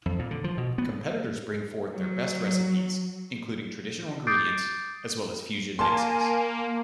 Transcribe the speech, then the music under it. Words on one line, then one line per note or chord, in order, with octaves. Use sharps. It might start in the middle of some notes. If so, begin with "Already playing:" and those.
Competitors bring forth their best recipes including traditional ingredients as well as fusion mixes.
F2
A#2
D3
F3
B2
B3
F#3
D6 D#6 G6 A6 C7 D7
A#3 G#5 A5 C6